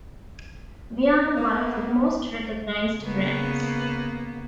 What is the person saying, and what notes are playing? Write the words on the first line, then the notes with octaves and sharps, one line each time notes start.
We're one of the most recognized brands.
A#3 B3
C#3 A#3 B3